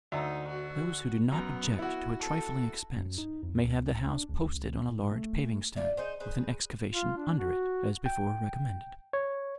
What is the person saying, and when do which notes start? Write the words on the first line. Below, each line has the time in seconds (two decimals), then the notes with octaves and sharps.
Those who do not object to a trifling expense, may have the house posted on a large paving-stone, with an excavation under it, as before recommended.
0.12 D2 D#4 E5
0.48 F#4
1.32 F#2 B3 A#5
1.79 E4 F#4
2.19 A4
2.96 F#2
3.18 D#4
3.43 F2
3.63 C#2
4.11 D4
4.29 C#2
4.89 A2
5.12 A3
5.76 F4 D5 E5
5.97 D#4 G#4 C5
6.20 G#4 B4 C5
6.94 F4
7.17 D4
7.38 F#4
8.06 G5
9.13 C#5